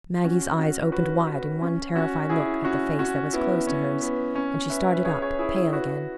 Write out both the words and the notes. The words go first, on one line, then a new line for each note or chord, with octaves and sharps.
Maggie's eyes opened wide in one terrified look at the face that was close to hers, and she started up, pale again.
C#4 F#4
C#4 F#4
F#4 B4
F#4 B4
C#4
C#4 F#4
E4 G#4
C#4 F#4
C#4 F#4
B3 E4
C#4
B3
C#4
B4 E5
B4
G#4 C#5
G#4 C#5
E4 G#4
E4 G#4
F#4 B4